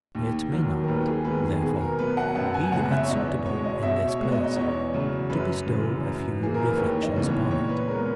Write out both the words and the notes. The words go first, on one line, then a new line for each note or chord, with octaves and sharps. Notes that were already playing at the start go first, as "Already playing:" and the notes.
It may not, therefore, be unsuitable, in this place, to bestow a few reflections upon it.
D#2
D#3 F#3
A#4
D#2 B4
G#4
D#3 G#3 B3 B4
G#4
B2 G#4
A#4
F#3 B3 B4
F#5
F#2 F#5
G#5
C#3 G#3 B3 F#5
E5
C#5
E2 D#5
C#5
B2 G#3 C#5
D#5
B2 E5
C#5
G#3 B3
D#5
D#5
E2 C#5
C#3 F#3
F#2 B4
C#3 E3 G#3
F#2
E3 A#3 G#4
A#4
B4
D#2 C#5
D#5
C#3 E3 B3
C#5
A#2 C#5
B4
G#3 B3 A#4